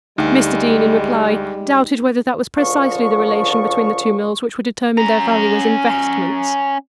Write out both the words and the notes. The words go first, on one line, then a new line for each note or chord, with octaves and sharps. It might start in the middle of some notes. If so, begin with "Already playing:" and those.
Mr. Deane, in reply, doubted whether that was precisely the relation between the two mills which would determine their value as investments.
D2 G3 G#3 D#4 G5
C#2 D3 F3 C#6
C#4 A#5